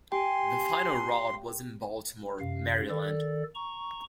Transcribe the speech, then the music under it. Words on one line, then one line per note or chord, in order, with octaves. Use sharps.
The final route was in Baltimore, Maryland.
G4 G5 G#5 C6
F#2 C3 F5
D#3 A4 D5
A#5 C#6